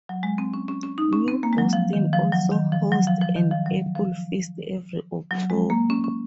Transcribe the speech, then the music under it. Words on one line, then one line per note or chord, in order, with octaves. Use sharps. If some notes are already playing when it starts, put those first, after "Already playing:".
New Boston also hosts an Apple Fest every October.
F#3
G#3
C4
C#4
C#4
C#4
D#4
C#4
C4
A#3
G#3
F#3
F3
D#3
F3
F#3
D#3
F3
F#3
F3
F3
D#3
F3
F#3
F3
F#3
G#3
A#3
C#4
C#4